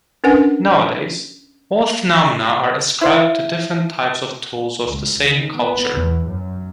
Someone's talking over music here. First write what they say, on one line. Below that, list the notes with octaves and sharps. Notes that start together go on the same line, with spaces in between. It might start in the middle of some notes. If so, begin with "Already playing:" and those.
Nowadays both phenomena are ascribed to different types of tools of the same culture.
C#4 D4 A#4 B4 F#5 G#5
E4 C5 F5
C#2
D#3
B3
E2
F#2